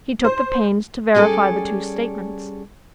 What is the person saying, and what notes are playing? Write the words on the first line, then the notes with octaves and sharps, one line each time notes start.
He took the pains to verify the two statements.
C5
G3 C#4 G#4 A4 D5